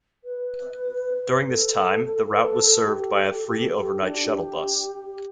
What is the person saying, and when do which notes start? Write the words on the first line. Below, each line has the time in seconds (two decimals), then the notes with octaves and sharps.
During this time, the route was served by a free overnight shuttle bus.
0.24 B4
1.48 A4
2.34 B4
2.41 A4
2.86 G4
3.33 A4
3.47 G4
3.56 A4
3.79 G4
4.03 D4
4.25 G4